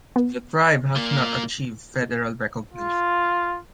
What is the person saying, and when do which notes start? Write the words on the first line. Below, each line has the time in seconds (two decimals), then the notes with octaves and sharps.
The tribe has not achieved federal recognition.
0.16 B3
0.96 A#2 A#3
2.73 F4